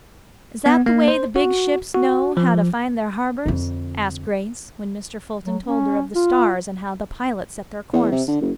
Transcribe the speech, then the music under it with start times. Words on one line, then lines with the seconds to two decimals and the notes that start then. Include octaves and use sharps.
"Is that the way the big ships know how to find their harbors?" asked Grace, when Mr. Fulton told her of the stars, and how the pilots set their course.
0.66 B3
0.86 A#3
1.08 C5
1.36 F#4
1.94 F#4
2.37 F3
3.46 F2 D3
5.45 F#3
5.63 C#4
6.15 F4
7.93 E2
8.12 C3
8.28 D3
8.41 F#1